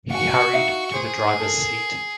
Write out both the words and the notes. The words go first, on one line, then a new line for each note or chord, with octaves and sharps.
He hurried to the driver's seat.
F#4 F5 G#5 C#6
D#4 E5 F5
G#4 C5
A4 A#4